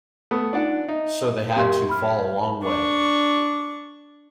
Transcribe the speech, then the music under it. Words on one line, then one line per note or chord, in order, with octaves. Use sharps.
So they had to fall a long way.
A3 B3 D#6
D4 D#4 F4 D5 F#5
D#4 E5
F#2 G4 A#4 C6
B5 F6
D4 C#6